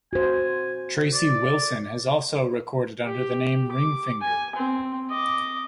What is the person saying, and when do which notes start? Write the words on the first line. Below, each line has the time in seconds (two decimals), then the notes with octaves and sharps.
Tracy Wilson has also recorded under the name Ringfinger.
0.13 F#4 C5 G#5
1.14 D5
3.05 G4
3.72 D6
4.21 G#5
4.56 C4
5.10 D#5 D6